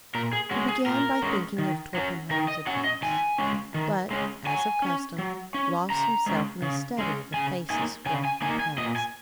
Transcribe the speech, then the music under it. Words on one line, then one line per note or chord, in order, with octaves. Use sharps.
He began by thinking of Torpenhow's advice, but, as of custom, lost himself in the study of the faces flocking past.
A#2 A#4
G#4
G#3 C#4 F#4
G#4
A#2 A#4
G#3 C#4
D#3
F#3 C#4
D#3 A#4
D#5
F#3 C#4 F#5
D#5
D#3 G#5
G#3 C#4
D#3
G#3 C#4
F#3 G#5
C#4
F#3
C#4
C#3 A#5
G#3 C#4
C#3
G#3 C#4
C#3 G#5
A#3 D#4 G#5
C#3 G#5
G#5
A#3 D#4 G#5
G#5
A#2 D#5
G#5